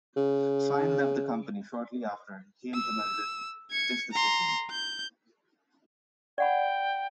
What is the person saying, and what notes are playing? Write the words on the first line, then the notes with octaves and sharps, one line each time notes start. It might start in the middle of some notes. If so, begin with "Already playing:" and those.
Fine left the company shortly after he implemented this decision.
C#3
E6
G#6 C#7
A#5 C6
G6
D5 F#5 G5 B5